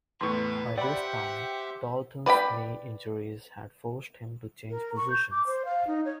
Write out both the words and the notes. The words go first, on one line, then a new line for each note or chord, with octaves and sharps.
By this time, Daulton's knee injuries had forced him to change positions.
E2 A2 B4 C6 C#6
G4 C5 D5 E5 F#5 G5 B5
B4 D5 G5 B5
A#4
C#6
G6
D6
C5
F5
D#4
C#5